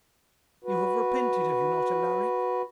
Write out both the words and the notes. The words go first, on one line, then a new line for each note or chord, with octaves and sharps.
You have repented, have you not, Alaric?'
F#4 B4